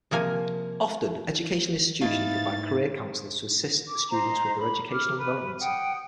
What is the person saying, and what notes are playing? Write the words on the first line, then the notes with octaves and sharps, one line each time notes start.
Often educational institutions provide career counsellors to assist students with their educational development.
C3 F3 A#3 G#5
G#2 A3 D#4 E4 B4 F5 A6
D6
C5 D#5 A#5
B5
D6 F6
B4
F#5 G5 D#6